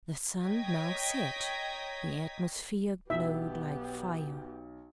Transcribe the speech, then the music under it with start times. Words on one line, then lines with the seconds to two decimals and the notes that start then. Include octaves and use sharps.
The sun now set: the atmosphere glowed like fire.
0.46 C#5 D#5 G5 A#5 G#6 B6
3.10 B1 B3 G4 E5